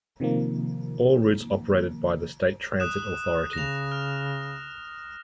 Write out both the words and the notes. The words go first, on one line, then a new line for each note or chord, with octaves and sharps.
All routes operated by the State Transit Authority.
C3 D#3 F3 A#3
D#6 F#6 E7
C#3 A#6 F7
F6